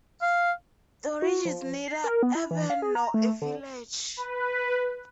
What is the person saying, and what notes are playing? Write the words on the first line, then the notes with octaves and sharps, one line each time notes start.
Dorridge is neither urban nor a village.
F5
F#4
F3
C7
A#4
B3
E4
E3
F5
G#4
A#5
A3
D3
B4